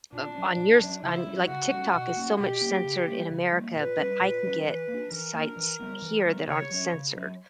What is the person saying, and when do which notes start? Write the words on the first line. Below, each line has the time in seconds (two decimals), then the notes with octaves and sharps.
Of on yours on, like, TikTok is so much censored in America, but I can get sites here that aren't censored.
0.12 A#2 D4
0.35 F#3 C#4
0.57 A#2
0.80 F#3 C#4
1.02 C#3 E4
1.26 G3 C#4
1.48 C#3 F#4
1.71 G3 C#4
1.94 B2
2.17 A#3 C#4
2.39 B2 G4
2.62 A#3 C#4
2.84 C#3
3.08 G3 A#3
3.30 C#3
3.53 G3 A#3
3.76 A#2 B4
3.98 G3 C#4
4.21 A#2
4.44 G3 C#4
4.66 E3 B4
4.89 A#3
4.94 D4
5.11 E3 A#4
5.34 A#3 D4
5.57 E3
5.80 G3 B3
6.02 E3
6.26 G3 B3
6.48 C#3 C#5
6.71 F#3 C#4
6.93 C#3
7.16 F#3 C#4